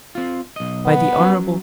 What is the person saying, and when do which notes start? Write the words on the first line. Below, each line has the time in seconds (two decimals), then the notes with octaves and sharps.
By the Hon.
0.15 C4 F4
0.56 B1 D#5
0.86 B3
1.18 F#3 C#4